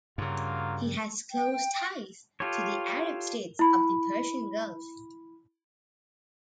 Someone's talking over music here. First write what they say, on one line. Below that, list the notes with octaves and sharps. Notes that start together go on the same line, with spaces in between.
He has close ties to the Arab states of the Persian Gulf.
G2 C#3 F#3 A#3 F4
G5
F4 G4 A4 C#5
E4 B5